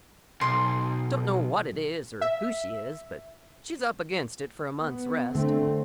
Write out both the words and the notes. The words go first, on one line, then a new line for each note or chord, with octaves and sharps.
Don't know what it is or who she is, but she's up against it for a month's rest.
B1 C6
E5
B3
D3 A3 C4